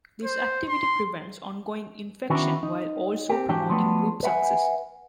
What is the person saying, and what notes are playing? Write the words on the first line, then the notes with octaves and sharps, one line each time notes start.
This activity prevents ongoing infection while also promoting group success.
C5
C6
D#3 B3 C#4 D4 E4 F#4
D#4
C4 G4
G#2 E3 D4 F#4 G4 G5
F3 F#3 A3 B3 D4
B4 E5 F#5 G#5